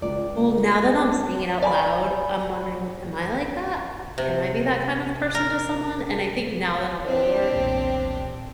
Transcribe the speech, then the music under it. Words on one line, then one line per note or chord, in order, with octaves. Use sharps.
Well, now that I'm saying it out loud, I'm wondering, am I like that? Can I be that kind of person to someone? And I think now that I'm older
C#2 D5
D5 G#5 A#5 B5
C3
A#4
C4 D4 G4 C5 C#5
B1 E2 A#2